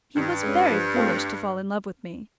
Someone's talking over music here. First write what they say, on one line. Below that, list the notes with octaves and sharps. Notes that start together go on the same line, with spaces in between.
He was very foolish to fall in love with me.
G2 D#3
G#3 C#4
F3
A3 C4 F4